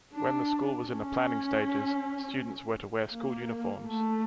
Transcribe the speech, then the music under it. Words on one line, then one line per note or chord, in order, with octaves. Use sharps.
When the school was in the planning stages, students were to wear school uniforms.
D4
C#4
A#3
A3